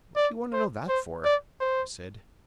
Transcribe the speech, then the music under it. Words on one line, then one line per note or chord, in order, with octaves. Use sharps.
"What do you want to know that for?" I said.
D5
C5
C5
D5
C5